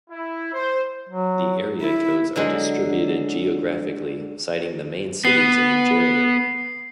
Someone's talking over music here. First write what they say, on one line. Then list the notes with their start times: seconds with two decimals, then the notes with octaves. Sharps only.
The area codes are distributed geographically, citing the main cities in each area.
0.10 E4
0.53 C5
1.09 F#3
1.81 E4
2.36 D3 F#3 G#3
5.25 B3 C7